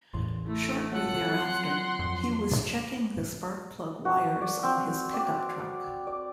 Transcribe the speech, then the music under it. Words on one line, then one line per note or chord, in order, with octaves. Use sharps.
Shortly thereafter, he was checking the spark plug wires on his pickup truck.
A1 E2 C6
A3 E4
F#3 C4 F4 A4 F#5
C6
F2
F#4
D5
C4
D5
D5